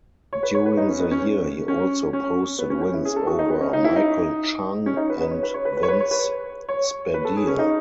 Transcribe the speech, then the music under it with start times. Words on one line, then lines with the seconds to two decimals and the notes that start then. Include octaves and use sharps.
During the year he also posted wins over Michael Chang and Vince Spadea.
0.33 C#5
0.43 B4
0.55 C#5
0.66 B4
0.77 D#4
0.89 C#4
1.00 B3
1.11 C#4
1.68 C#4
2.13 C#4
2.59 B3
2.70 C#4
2.82 C#4
2.94 E4
3.05 G#4
3.16 A4
3.27 F#4
3.39 D#4
3.50 B3
3.61 C#4
3.73 D#4
3.84 E4
3.96 D#4
4.86 C#4
4.97 D#4
5.10 B4
5.21 B4
5.31 C#5
5.43 B4
5.54 C#5
5.65 B4
5.77 B4
5.83 C#5
5.88 B4
6.00 C#5
6.11 B4
6.69 C#5
7.14 B4
7.25 A4
7.37 G#4
7.48 C#4
7.59 D#4